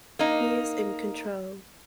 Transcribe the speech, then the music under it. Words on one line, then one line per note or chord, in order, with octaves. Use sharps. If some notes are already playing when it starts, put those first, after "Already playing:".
He is in control.
A#3 D#4